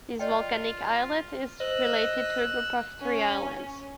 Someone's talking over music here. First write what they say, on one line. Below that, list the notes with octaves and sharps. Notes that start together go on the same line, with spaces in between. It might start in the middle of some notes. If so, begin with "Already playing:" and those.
This volcanic islet is related to a group of three islands.
F4 D5 D#5 G5
C5 D#5 E6 F#6
C#4